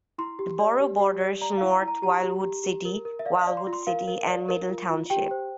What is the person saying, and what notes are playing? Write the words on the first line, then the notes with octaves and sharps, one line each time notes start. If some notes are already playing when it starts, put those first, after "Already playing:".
The borough borders North Wildwood City, Wildwood City, and Middle Township.
E4 C6
G4
D5
G4
G4
D5
D5 A#5
F5
E4
A#5
E4
A#5
G4 A#5
G4
G4
G4
A#4
A#4
E5
D5 F5
F5
D5
C6
F4
C6
A#4 F5
A#4
D5
A#4
F4
F4
G4 G5
C5